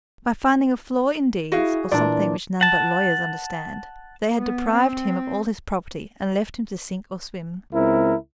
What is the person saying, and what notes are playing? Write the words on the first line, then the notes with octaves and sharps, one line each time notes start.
By finding a flaw in deeds, or something which none but lawyers understand, they had deprived him of all his property and left him to sink or swim.
E4 F#4 G#4 F5
A#2 E3 D4 D5
F#5 A5
B3
C4
C#2 C4 E4 A#4